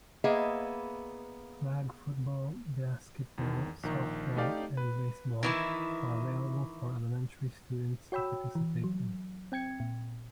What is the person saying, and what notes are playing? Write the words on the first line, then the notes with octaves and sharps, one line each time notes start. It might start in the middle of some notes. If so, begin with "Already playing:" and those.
Flag football, basketball, softball, and baseball are available for elementary students to participate in.
A#3 B3 G#4 D#5 E5
E2 D#3
A#1 D#3 A#5
A3 D#4 G4 D5 F5
B4
D#3 E3 E4
F#4 C#5 G5 B5 E6
E3
F#3
C4 G5 G#6 C#7
A#2